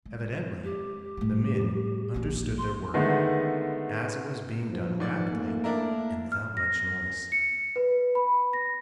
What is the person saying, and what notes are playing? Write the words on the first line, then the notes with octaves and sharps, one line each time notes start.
Evidently the men understood their work, as it was being done rapidly and without much noise.
G#3
G4
A2 G3
A#1 F2
C6
D3 D#3 G#3 A3 B3
G2 E3 F3
G#2 D5
A3 A#3
D4 E4 A#4
F6
A#6
C#7
B4
B5
A#6